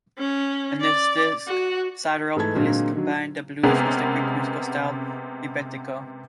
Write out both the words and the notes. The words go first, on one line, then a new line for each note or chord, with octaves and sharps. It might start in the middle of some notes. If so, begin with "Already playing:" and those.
In this disc, Sidiropoulos combined the blues with the Greek musical style rebetiko.
C#4
D5
F#4
G#2 E3 A3 A5 G#6
A#2 D3 F#3 G#3 A#3 C4
D3 D#3 F#3
C3 G#3 B3 C#4 G#4 A#4